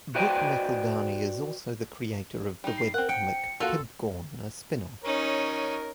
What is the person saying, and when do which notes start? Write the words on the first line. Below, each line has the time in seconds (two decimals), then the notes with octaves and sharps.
Brooke McEldowney is also the creator of the webcomic "Pibgorn", a spin-off.
0.15 F#4 B4 C5 D5 D#5 G5
2.64 G3 D#4
2.77 C7
2.94 C4 A#4 F#5
3.09 G5 C#7
3.60 A#3 F4 F#4 A4 C6
5.04 C#4 D#4 A#4 C#5